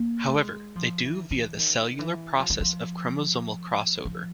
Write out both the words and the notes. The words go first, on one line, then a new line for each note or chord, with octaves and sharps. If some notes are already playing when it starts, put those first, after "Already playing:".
However, they do, via the cellular process of chromosomal crossover.
Already playing: A#3
A3
G#3
F3
E3
E3
D#3
E3
F3
E3
F3
F3